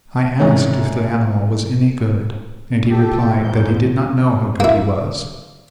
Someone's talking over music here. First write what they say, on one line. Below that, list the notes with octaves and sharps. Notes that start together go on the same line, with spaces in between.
I asked if the animal was any good and he replied that he did not know how good he was.
C2 G#2 C#4
G4 A4 G5
E2 G#2 G6
A#3 E4